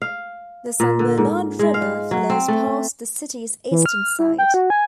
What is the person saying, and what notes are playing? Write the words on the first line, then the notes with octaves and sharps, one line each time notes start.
The San Bernard River flows past the city's eastern side.
F5
A#2
D3
G#2
G#3
F5
F#3
C4
A3
E3
F6
E4
G5
F#4
G#5